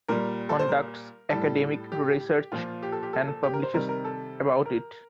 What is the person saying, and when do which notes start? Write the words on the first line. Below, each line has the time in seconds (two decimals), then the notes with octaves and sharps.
Conducts academic research and publishes about it.
0.08 A#2 G3 A#4
0.49 A4
0.59 C5
0.69 A#4
1.30 A2 G3 A4
1.92 G4
2.52 A#2 F3 F4
2.83 G4
2.92 A4
3.03 G4
3.13 A4
3.28 A4
3.43 G4
3.54 A#4
3.63 C5
3.73 C3 D#3 G3 A#4
3.89 A#4
4.05 A4
4.66 A#4